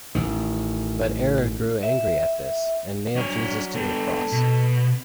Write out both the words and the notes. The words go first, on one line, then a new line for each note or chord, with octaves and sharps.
But Error grew angry at this, and nailed Jesus to a cross.
A1 D#3
E5
F#3 D4 C#5
B3 D4 A4
B2